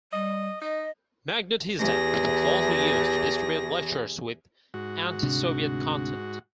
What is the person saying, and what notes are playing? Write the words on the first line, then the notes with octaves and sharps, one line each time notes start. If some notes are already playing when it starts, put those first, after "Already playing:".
Magnitizdat was also used to distribute lectures with anti-Soviet content.
G3 D#5
D#4 D#5
E2 E3 G4 G#4 A#6
G#2 F#4
D2 C3 D4